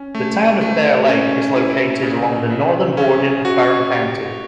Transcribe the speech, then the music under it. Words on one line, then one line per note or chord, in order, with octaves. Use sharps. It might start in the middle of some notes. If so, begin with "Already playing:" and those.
The town of Bear Lake is located along the northern border of Barron County.
Already playing: C#4
A3
A3
C#4
E4
C#3
C#3
C#4
F#4
G4